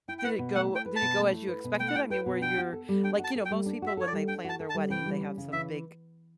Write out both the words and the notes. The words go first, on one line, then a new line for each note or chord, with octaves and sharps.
Did it go Did it go as you expected? I mean, were your like, you know, most people when they plan their wedding, they have some big
E4 G5
G5
B4 F#5
B2
A3 F#5
E4
G5
B4
A5
B2
A3
E4
B4
B2
A3 G5
F#5
E4 G5
B4 G5
B2
D4 G5
F#4
A4
G3
D4 G5
F#4
A5
A4
G5
G3
D4
F#4 E5
A4 C#5
D5
G3
D4 G5
F#4 A5
A4
A5
G3
E3 G5
G3
C#4
C#3
E3 E5